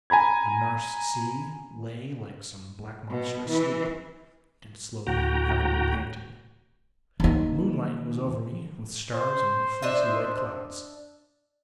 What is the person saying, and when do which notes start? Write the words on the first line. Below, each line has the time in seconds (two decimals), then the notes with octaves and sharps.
The Nares Sea lay like some black monster asleep, and slowly, heavily panting. Moonlight was over me, with stars and fleecy white clouds.
0.10 G#5 A#5 B5 G#6
3.09 B2
3.49 E3
5.07 D2 A2 F#4 G5 A#5
7.20 D#2 D#3
9.14 C5
9.82 D4 D#5 E5